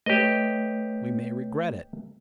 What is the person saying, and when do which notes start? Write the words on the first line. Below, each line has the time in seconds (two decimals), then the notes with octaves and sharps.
We may regret it.
0.06 A3 G4 B4 C#5 D#5